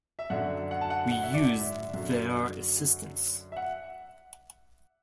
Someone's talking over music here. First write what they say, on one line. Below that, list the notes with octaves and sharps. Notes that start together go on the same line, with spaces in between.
We used their assistance.
E5
F#2 D3 F#3 F#5
F#5
A5
F#5
F#5
E5
D5
E5
F#2 D3 F#3
E5
F#5